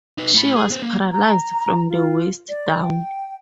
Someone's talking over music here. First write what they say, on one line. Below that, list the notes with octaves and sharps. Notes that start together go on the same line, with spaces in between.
She was paralyzed from the waist down.
D#4 B4
A2 B5
G#4
B3 C5
A#3
A#5
F4
D5
G5